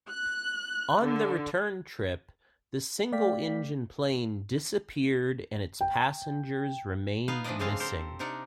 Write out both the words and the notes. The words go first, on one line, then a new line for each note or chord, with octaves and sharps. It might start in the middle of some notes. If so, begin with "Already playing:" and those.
On the return trip, the single-engine plane disappeared and its passengers remained missing.
F#6
D3
A3 D5 F5 G5 B6
G5
B3 D#4 B4 F5
E3 F3 D4 B4 D5 D#5
C#3 G#3 C4 D4 F5 A5
G4 A4 A#4 C5
C3 D4 D#4 A#4 D5 F#5